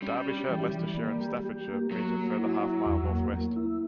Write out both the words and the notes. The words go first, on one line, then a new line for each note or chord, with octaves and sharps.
Derbyshire, Leicestershire, and Staffordshire meet a further half-mile northwest.
G3 C#4
G4
E3
E3
A#3
G4
G4
A#3
F#3 A#3
A#3
E4
E4
E2
A#3
A#3
E4